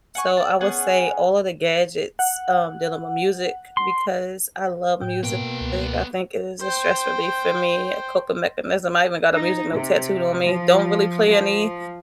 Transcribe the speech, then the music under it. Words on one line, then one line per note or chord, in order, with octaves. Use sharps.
so I would say all of the gadgets, um, dealing with music because I love music. I think it is a stress relief for me, a coping mechanism, I even got a music note tattooed on me, don't really play any,
F#5 G#5 C#6
D5 A5
B3 C#4 G#4 F#5
F#5
C6
A2 G5
B2 A#3 B3 G5
C#2
C5 G5
D#4
C3
F3
F3